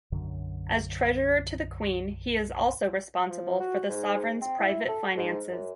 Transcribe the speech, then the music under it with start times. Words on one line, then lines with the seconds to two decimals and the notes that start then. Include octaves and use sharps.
As Treasurer to the Queen, he is also responsible for the Sovereign's private finances.
0.12 B1 F#2 D3 F#3
3.29 F3
3.60 F#4
3.89 G#2
4.42 C4
4.59 E4
4.88 A4
5.17 G#2
5.51 F#2